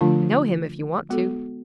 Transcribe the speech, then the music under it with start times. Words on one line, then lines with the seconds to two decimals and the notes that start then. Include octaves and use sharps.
"Know him, if you want to."
0.01 D3 F3 A3 D4 F4
1.09 G#3 B3 F#4 A4